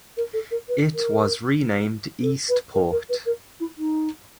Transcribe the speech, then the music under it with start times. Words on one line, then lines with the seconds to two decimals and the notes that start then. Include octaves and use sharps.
It was renamed Eastport.
0.17 A#4
0.33 A4
0.51 A#4
0.68 B4
0.94 A#4
2.22 A4
2.48 B4
2.74 A#4
2.91 A#4
3.09 B4
3.26 A#4
3.60 E4
3.77 D#4